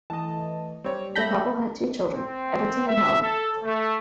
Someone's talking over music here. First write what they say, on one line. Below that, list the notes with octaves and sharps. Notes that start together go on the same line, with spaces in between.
The couple had two children, Everton and Helen.
E3 A3 D#5 A5
G3 C4 C#5
A4 E5 B5 G6 A#6
C4
E5
A4
A3